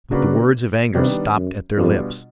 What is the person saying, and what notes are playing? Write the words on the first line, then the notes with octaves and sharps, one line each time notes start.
But the words of anger stopped at their lips.
C#3 F#3 A#3 D4 F#4 B4
C3 D#3 G3 B3 D4
F#2
F2 B2 G3 B3 D4 F4